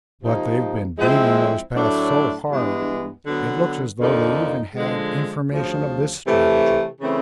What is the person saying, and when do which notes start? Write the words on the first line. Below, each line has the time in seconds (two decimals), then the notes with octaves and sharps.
But they've been beaming those paths so hard, it looks as though they even had information of this strategy.
0.22 C3 F3 A#3 D#4
0.98 F3 G#3 C4 E4
1.73 A2 F#3 A3 D4
2.48 G2 E3 G#3 B3 D4
3.24 D3 F#3 B3
3.99 F2 D3 F3 A#3 D#4
4.74 D3 F3 G#3
5.49 D2 C#3 F3
6.25 C3 E3 A3
6.99 C#3 E3 A3 C4